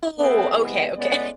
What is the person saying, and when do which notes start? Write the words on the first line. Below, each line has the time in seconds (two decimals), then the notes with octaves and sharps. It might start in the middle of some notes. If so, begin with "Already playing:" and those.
Oh, okay, okay.
0.18 A3 B3 C4 G#4 B4
0.53 C3 E3 G#3 B3
0.96 A2 G#3 B3 C#4 D5